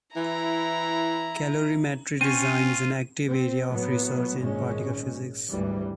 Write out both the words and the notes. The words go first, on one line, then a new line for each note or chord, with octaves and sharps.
Calorimetry design is an active area of research in particle physics.
E3 E4 A#5
C4 C#4 F4 C#5 D#7
C4
A2 F#3 B3
G#1 A#2 G#3 C#4
G#1 D2 E3 G3